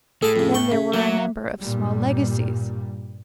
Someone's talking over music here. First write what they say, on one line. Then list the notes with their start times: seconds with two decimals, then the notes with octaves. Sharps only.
Then there were a number of small legacies.
0.22 A2 G#4 A4 A5
0.36 F2 C#3
0.54 G5 C#6
0.72 C#3 E5
0.94 F#3 A#3
1.60 G2 A#2 G3